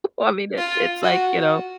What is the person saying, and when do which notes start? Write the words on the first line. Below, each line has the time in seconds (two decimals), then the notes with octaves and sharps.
I mean, it it's like, you know
0.58 F4
1.03 F#4